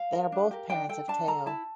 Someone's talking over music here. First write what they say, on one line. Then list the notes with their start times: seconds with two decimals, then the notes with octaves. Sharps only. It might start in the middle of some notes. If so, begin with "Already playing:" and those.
They are both parents of Teo.
Already playing: F5
0.13 A#4
0.32 D4
0.51 G4 A#4
0.70 D4 G5
0.89 A4 G5
1.08 D4 A5
1.28 A4 A#5
1.46 E4 A5